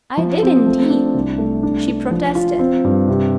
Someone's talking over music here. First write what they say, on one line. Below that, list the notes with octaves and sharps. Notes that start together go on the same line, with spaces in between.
I did indeed,' she protested.
F3
C4
A3
D4
C2
A3
D4
D4
F3
F4
C4
G2
C3